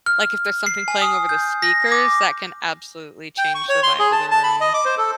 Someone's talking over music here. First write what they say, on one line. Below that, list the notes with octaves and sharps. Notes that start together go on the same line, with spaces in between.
like, if there's something playing over the speakers, that can absolutely change the vibe of the room.
F6
C7
G#5
D#6
G6
A#6
D6
G5
C#6
C#5
C6
G#4
A5
A5
B5
D#5
D6
C5
A4